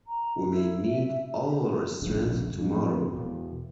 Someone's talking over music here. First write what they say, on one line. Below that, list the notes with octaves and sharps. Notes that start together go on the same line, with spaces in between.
We may need all our strength tomorrow.
A#5
E4
E5
G4
F1 A#1 G2 C#3
F2
E2 B2